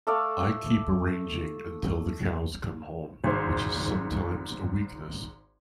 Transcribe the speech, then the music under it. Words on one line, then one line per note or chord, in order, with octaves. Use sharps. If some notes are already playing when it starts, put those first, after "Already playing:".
I keep arranging until the cows come home, which is sometimes a weakness.
A3 A4 D5 F5
G#1 G#2 C5